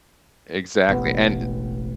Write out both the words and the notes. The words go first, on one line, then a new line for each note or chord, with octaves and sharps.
Exactly. And i
E1 A1 B3